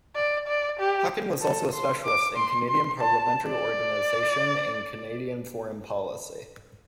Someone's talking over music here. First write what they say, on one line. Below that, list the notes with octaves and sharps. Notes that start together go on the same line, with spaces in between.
Hockin was also a specialist in Canadian parliamentary organization and Canadian foreign policy.
D5
D5
G4
A4
C6
D6
C6
C6
A5
D5